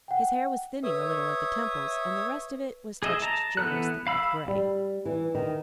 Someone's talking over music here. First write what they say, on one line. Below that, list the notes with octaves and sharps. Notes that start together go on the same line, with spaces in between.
His hair was thinning a little at the temples and the rest of it was touched generously with grey.
F#5 G5
B4 C#5 E5 D#6
G#4 D#5 E5
A5 A#5
E3 B3 A4 F#6
F5 B5 E6
G3
E3
D#3